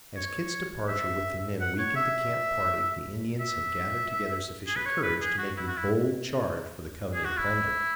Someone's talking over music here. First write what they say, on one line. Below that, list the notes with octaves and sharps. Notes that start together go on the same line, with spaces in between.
As Kit's departure with the men weakened the camp party the Indians had gathered together sufficient courage to make a bold charge for the coveted plunder.
C#5
E5
F#5
C#5
E5
E5
G#4
B4
C#5
B4
G#4
F#4
E4
F#4
E4
G#4
F#4
E4